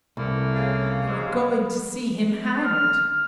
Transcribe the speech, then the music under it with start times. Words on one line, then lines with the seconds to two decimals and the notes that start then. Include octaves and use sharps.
They were going to see him hanged.
0.17 C2 E3 A3 A#3
0.54 C#3 F5
1.06 G#2
2.64 F6